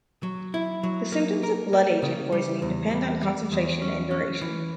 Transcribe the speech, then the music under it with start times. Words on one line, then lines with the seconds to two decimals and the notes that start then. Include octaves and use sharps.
The symptoms of blood agent poisoning depend on concentration and duration.
0.23 F#3
0.54 E4
0.83 F#3
1.12 A#3
1.43 A#4
1.73 A#3
2.02 C#3
2.32 G3
2.62 E2
2.91 G3
3.22 G3
3.52 E2
3.82 C#4
4.11 C#4
4.41 E3